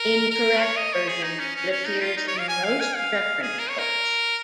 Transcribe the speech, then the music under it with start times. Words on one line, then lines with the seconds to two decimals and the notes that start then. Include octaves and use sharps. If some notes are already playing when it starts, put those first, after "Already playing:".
Incorrect version that appears in most reference books.
Already playing: A#4
0.31 A#4
0.61 C#5
0.77 D#5
0.93 C#5
1.08 G#4
1.23 D#4
1.39 C#4
1.55 C#4
1.71 C#4
1.87 D#4
2.02 F4
2.17 D#4
2.28 C#5
2.39 F5
2.48 G#5
2.64 F5
2.80 G#5
2.96 F5
3.42 G#4
3.59 A#4
3.69 C#5
3.79 A#4